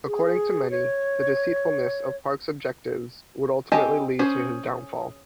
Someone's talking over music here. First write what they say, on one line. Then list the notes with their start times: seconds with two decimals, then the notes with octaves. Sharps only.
According to many, the deceitfulness of Park's objectives would ultimately lead to his downfall.
0.07 G#4
0.70 C#5
3.72 C4 G4 D#5 G#5 A5
4.19 C#4 G#4 C5